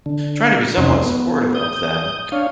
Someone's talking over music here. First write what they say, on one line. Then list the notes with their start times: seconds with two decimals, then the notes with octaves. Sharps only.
trying to be somewhat supportive of them.
0.06 D3
0.77 F2 C3 C#4 D#4 C5
1.02 B3
1.55 D#6 G6
2.32 D4 C#5 F5